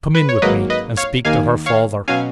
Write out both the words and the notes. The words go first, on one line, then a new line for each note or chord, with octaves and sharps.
'Come in with me, and speak to her father.'
B4
C#5
G#1 G#2 F#3 A#3 B4 D#5
B4 D#5
C#5 F5
D#2 D#3 A#3 F5 G#5
C#5 F5
B2 F#3 C#4 F5 G#5